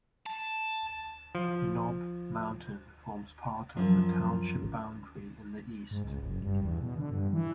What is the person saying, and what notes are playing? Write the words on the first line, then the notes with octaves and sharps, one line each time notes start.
Knob Mountain forms part of the township boundary in the east.
A5
F3
F#2 F3
G#2
C#2
F#1
G2
E2
B2
D3
G2
E3